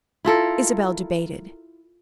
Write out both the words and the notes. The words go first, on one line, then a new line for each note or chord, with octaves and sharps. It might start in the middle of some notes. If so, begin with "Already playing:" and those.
Isabel debated.
E4 F4 A4 A#4